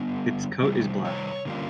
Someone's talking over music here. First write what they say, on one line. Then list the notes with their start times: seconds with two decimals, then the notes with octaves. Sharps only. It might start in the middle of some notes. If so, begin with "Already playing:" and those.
Its coat is black.
Already playing: D3 G3 B3
0.62 C3 D#3 G3
1.05 C#5
1.45 D3 G3 A#3 C#4 F4